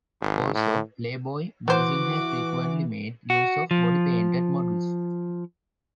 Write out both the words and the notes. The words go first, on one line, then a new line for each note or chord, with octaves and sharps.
Also "Playboy" magazine has frequently made use of body painted models.
G#1
A2
E3 B3 F#4 C5 D6
F#4
F3